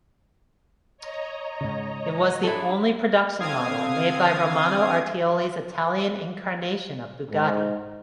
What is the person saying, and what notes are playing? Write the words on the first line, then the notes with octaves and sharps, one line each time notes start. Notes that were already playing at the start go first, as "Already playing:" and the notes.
It was the only production model made by Romano Artioli's Italian incarnation of Bugatti.
C#5 D#5 A#5
G#2 C#3
D4 E4 G#4 A4
D3 C4 F5 D#6 G#6 C7
G#2